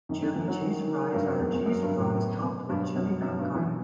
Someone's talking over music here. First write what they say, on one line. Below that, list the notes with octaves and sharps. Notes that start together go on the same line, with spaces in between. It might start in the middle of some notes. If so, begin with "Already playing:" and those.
Chili cheese fries are cheese fries topped with Chili con carne.
F#2 D#3
D#3
F#2 E3
F#3
D#3
D#3
G2 F#3
F#2
E2 F#3
E2
F#2 F#3
G2
F#2
A2
B3
B2
G2 F#3
F#2 B2
F#2 D#4
G2
F#3
E3